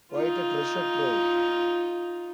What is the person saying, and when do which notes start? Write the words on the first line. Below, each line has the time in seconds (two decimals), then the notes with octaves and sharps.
Quite a treasure-trove.
0.12 D#4 F4